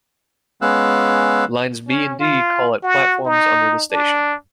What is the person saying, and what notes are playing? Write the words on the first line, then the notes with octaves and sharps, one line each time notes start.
Lines B and D call at platforms under the station.
G#3 B3 C#4 F5 E6 F#6
C#4
F4
F#4
D#4
D4